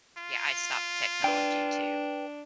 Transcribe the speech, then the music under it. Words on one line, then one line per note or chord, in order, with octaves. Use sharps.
Yeah, I stopped technology too,
F4
D4 B4 G5